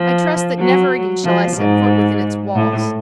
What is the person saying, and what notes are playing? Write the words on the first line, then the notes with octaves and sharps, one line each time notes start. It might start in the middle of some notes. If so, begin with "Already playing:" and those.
I trust that never again shall I set foot within its walls.
Already playing: F3
F#3
F3
G#2
A2